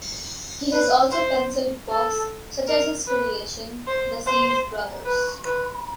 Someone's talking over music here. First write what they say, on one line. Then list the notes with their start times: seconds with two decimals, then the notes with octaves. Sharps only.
He has also pencilled books, such as his creation "The Sleeze Brothers".
0.72 B4
1.11 C5
1.90 A4
2.68 A#4
3.07 B4
3.87 C5
4.27 C5
5.05 B4
5.45 B4